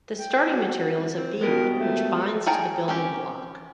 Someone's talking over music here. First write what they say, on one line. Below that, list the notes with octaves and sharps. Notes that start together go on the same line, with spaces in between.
The starting material is a bead which binds to the building block.
G5
F#4
C4
B2 G3 G#3 A#4
A3
G#4 A#4 C#5 G5 A5
C4 C#4 G4